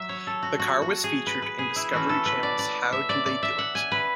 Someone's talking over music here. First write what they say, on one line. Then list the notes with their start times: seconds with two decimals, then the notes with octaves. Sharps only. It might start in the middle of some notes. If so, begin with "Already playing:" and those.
The car was featured in Discovery Channel's How Do They Do It?
Already playing: F#3 E5
0.09 C#5
0.27 A4
0.43 F#4
0.60 F#4
0.82 F#4
1.04 G#4
1.27 B4
1.42 B4
1.59 G#4
1.76 E4
1.93 E3 A3 C#4 F#4
2.09 A4
2.26 B4
2.43 D5
2.59 D5
2.92 E5
3.09 D5
3.26 D5
3.43 E5
3.59 F#5
3.75 G#5
3.92 B4